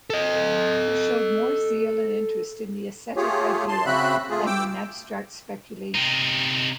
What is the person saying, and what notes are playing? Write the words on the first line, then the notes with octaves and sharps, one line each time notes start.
He showed more zeal and interest in the ascetic ideal than in abstract speculation.
A4 D#5
A3 F4 G4 G#4 C#5
A5 C6
C#3 C4 F#4 E5 B5 F#6
A3 F4 G#4
G5 D6 E6
C3 D#4